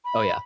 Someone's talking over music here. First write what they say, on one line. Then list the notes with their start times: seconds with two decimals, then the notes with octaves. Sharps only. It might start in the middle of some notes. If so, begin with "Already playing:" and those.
Oh, yeah.
0.05 B5